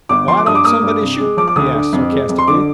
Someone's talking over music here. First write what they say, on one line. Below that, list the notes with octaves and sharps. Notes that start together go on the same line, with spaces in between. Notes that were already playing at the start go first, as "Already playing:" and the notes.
"Why don't somebody shoot?" he asked sarcastically.
G1 D6
F3 C6
D6
G2 D#6
D6
A#3 D#6
G2
C3
G#3
F3 D6
D6
D2 D#6
D3
F2
G#3
F2
C6
D3 D6